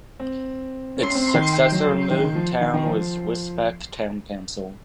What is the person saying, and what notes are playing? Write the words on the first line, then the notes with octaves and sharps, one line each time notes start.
Its successor in the town was Wisbech Town Council.
C4
C#4
C#4
C4
D#3
F#3
F#3
D#3
C#3
D#3
F3
D#3
D#3
F3